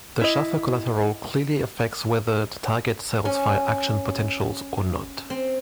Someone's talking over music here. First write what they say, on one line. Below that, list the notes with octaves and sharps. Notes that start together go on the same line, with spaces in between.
The Schaffer collateral clearly affects whether the target cells fire action potentials or not.
E4 D#5
C#4
C4